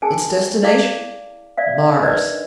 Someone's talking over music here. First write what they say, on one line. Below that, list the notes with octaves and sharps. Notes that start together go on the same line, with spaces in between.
Its destination--Mars!
C#4 G#4 A#4 G#5 A5
E4 D5 F5 D6
D5 E5 F5
D4 D#4 A#4 B4 D5 D#5